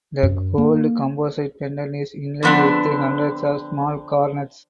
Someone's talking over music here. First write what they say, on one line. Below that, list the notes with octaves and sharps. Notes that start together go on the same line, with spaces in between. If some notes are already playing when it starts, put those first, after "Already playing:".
The gold composite pendant is inlaid with hundreds of small garnets.
F#2
A#3
D3 F3 B3 C4 D4